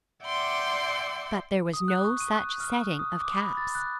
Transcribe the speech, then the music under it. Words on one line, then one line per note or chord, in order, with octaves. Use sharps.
But there was no such setting of caps.
D5 E5 F#5 G5 C6 D6
D#6
F#6
C#6
D#7
F#6
F6
D#6
D6
B5
A6
F#6